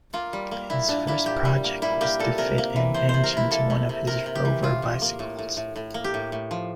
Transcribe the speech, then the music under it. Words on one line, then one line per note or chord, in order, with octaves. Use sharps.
His first project was to fit an engine to one of his Rover bicycles.
A#3 F4
G3
A#3
A#2 E4
A#2 D4
A#3 E4
A#2 G4
G3
A#3
G3 E4
A#3 G4
A#2 A4
C3 A#4
A#3
E3
C3 C5
C3 C5
A#4
C3 E4
A#3 A4
C3
C3
C3 A#4
C3
G4
E3
A2 F4
A2
A#3
A2
A2
A2
A2
A#3
G4
A2
A2
F3